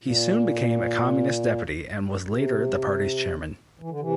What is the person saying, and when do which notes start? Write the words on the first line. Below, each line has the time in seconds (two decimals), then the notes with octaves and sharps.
He soon became a Communist deputy and was later the party's chairman.
0.03 A#2
2.28 C3
3.79 E3
3.90 D3
4.00 C3 E3